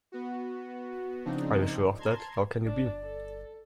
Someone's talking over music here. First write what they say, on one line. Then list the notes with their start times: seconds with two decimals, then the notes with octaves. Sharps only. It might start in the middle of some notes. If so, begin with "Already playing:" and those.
Are you sure of that? How can you be?
0.12 B3 F#4
1.25 C#3 F3 C4 D4 D#4
1.98 A5 A#5 C6 G#6
2.64 G1 D4 D5
3.05 A4